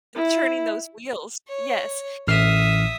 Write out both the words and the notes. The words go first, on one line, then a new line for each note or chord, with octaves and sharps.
turning those wheels yes,
E4
C#5
A1 E5 D#6 F6 C7